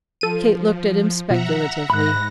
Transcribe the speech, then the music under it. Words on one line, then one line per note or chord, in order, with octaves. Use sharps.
Kate looked at him speculatively.
F3 A4 D#7
B2 F3 E5 F#5 A#5
G#2 B5 F#6 A#6